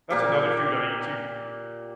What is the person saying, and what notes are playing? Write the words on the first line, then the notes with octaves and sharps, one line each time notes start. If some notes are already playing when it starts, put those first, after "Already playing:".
That's another food I eat too.
A#2 A#3 G4